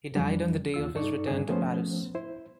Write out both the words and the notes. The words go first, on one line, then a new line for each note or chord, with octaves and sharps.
He died on the day of his return to Paris.
F2 E3 F3 G3 D4
D#2 F4 E6
G2 D#4 A4 D5 C#6
G2 D3 D4 G#4
F3 A3 B3 C#4 C5
E4 C5